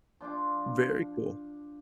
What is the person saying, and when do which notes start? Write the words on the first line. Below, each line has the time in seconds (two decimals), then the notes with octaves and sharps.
Very cool.
0.21 F3 D4 F4 D6